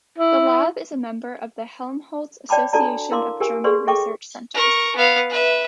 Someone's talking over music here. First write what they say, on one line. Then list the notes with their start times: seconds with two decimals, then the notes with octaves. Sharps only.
The lab is a member of the Helmholtz Association of German Research Centres.
0.18 E4
2.49 C#5 D5 G5 A5 B5 D6
2.73 D4 F#4 A4 D5 A5 A#5
3.11 E4 A#4 F5 C6 D6
3.40 G4 A#4 G#5
3.64 G#4 A4 B4 D5 C6 C#6
3.87 A4 E5 G5 C#6 D6
4.54 A#4 C#6
4.96 B3 F5
5.30 B4 E5